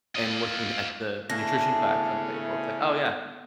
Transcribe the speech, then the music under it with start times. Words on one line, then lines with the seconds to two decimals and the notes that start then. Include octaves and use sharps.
and looking at the nutrition facts on the label, it's like, "Oh, yeah,
0.15 F4 D#5
1.30 C#3 A3 B3 C#4 D4 E4 G#4 A#6